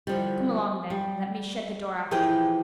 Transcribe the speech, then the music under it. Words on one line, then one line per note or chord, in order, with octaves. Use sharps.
"Come along, then, and let me shut the door after you."
D3 F3 G3
G3
E3 F3 G4 G#4 B4 G5